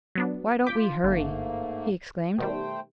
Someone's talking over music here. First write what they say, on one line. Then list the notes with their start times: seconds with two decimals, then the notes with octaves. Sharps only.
"Why don't we hurry!" he exclaimed.
0.15 F#3 B3 D4
0.67 F4 D6 G6 B6
1.03 G1 G#2 D3 A3 A#3
2.38 B2 D#3 G3 A3 C5 G5